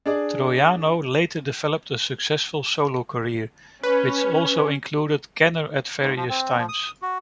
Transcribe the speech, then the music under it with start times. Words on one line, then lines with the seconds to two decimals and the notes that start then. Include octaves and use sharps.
Troiano later developed a successful solo career, which also included Kenner at various times.
0.06 D4 G#4 D5
3.83 C#4 B4
6.00 G#2
6.17 F3
6.29 C4
6.57 F3
6.69 D#6
7.02 F#4